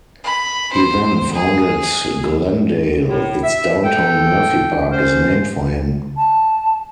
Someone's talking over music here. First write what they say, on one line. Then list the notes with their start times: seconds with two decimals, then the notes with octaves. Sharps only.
He then founded Glendale; its downtown Murphy Park is named for him.
0.24 B5
0.72 C5
1.34 G#4
3.09 A2
3.43 E5
3.84 A4 G5
4.91 C#4 C5
6.17 A5